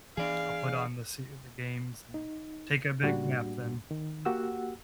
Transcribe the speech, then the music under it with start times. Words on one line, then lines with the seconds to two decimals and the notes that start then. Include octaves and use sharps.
I'll put on the se the games and take a big nap then.
0.17 E3 D4 G#4 D5 F5
2.14 D#4
3.03 A2 G3 A#3 D4 F#4
3.91 D#3
4.25 A#3 F#4 G4 F#5 E6